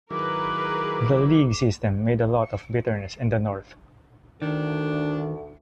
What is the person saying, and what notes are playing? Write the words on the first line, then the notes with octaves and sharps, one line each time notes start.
The league-system made a lot of bitterness in the north.
D#3 F#3 E4 G#4 A#4 B4 D6
D2 D#3 D4 A4